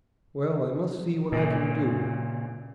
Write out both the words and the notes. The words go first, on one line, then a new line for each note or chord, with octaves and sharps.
Well, I must see what I can do.
A#2 C#3